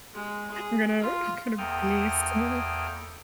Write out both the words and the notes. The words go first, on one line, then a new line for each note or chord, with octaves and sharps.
I'm gonna I'm gonna be sorry
G#3
G#4
F4
E2 A#3 A4 G5 D#6 F6